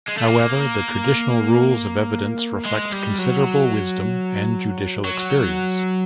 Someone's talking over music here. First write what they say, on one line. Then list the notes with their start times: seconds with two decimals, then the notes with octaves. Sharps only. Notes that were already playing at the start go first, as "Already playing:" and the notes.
However, the traditional rules of evidence reflect considerable wisdom and judicial experience.
0.09 G#3
0.18 A3
0.27 A#3
2.66 G#3
2.93 G3
3.19 F#3
5.05 F#3